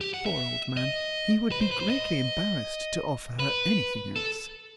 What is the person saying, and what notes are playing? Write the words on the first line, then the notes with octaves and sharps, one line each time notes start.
"Poor old man, he would be greatly embarrassed to offer her anything else."
G4
F#5
E5
D#5
B4
C5
B4
C5
D#5
B4
A4